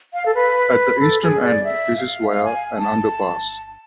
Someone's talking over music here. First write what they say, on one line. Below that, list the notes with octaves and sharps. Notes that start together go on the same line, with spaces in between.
At the eastern end this is via an underpass.
F5
A4
B4
A4
G#4
D5
E5
F5
F5
G#5
A5